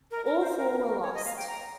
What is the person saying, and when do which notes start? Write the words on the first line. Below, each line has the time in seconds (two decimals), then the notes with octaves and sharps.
All four were lost.
0.11 A#4
0.26 A#4
0.41 C5
0.52 C5
0.57 A#4
0.73 A#4
0.87 A#4
1.02 C#5
1.14 D#5
1.25 F5
1.37 G5
1.48 A#5